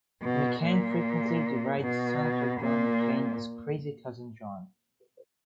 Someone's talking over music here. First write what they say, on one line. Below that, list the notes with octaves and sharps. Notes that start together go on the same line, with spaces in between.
McCain frequently derides Senator John McCain as "Crazy Cousin John".
B2
A#2
B2
A#2